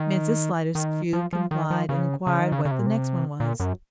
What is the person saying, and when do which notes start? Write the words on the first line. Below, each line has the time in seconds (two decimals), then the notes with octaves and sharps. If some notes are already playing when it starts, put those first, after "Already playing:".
Mrs Sliderskew complied, and inquired what the next one was.
Already playing: D#3
0.75 D#3
1.13 F3
1.33 F3
1.51 D#3
1.70 F3
1.89 C#3
2.27 C#3
2.40 D#3
2.52 C#3
2.65 C#3
2.71 C3
2.79 A#2
2.86 C3
3.40 A#2
3.60 F#2